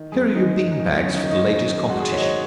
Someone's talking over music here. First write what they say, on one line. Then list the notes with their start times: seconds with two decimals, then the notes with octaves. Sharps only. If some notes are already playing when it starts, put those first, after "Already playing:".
Here are your bean-bags for the Ladies' Competition.
Already playing: D#3
0.12 F#2 G#4
0.35 D#3 D#4
0.57 F#2 D#4
0.71 D#4
0.79 D#3
0.85 D#4
1.01 F#2 C#4
1.16 D#4
1.24 D#3
1.30 D#4
1.45 F#2
1.68 D#3
1.89 G#2 F#4
2.00 G#4
2.12 D#3 C#5
2.18 D#5
2.22 C#5